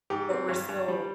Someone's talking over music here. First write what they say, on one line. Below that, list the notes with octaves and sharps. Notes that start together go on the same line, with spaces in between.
But we're still
G#2 G4
C4
G2
G2
G3